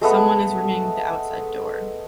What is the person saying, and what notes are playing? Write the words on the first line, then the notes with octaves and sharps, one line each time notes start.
Someone is ringing the outside door.
G#3 A3 B3